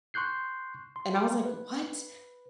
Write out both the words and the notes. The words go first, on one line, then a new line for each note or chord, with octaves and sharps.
and I was, like, "What?"
C6 C#6 F#6 G6 C7
C6
B4